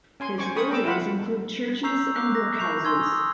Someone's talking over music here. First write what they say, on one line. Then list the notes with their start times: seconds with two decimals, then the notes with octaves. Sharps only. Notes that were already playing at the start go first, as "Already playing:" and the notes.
His buildings include churches and workhouses.
0.20 C#4 G#5 C6
0.38 C5 G#5 C#6 D6
0.56 A#4 G5 B5 C#6 D#6
0.70 G5 A#5 D6 E6
0.84 E4 G4 C5 F5 F#5 B5
1.83 A#5 C#6 E6 G6 C7 F7
2.15 D6 F#6 C7
2.34 D6 A#6
2.59 B5 C#6 G6 C7 F7
2.84 G#5 C6 E6 G#6 F7
3.01 D#6 E6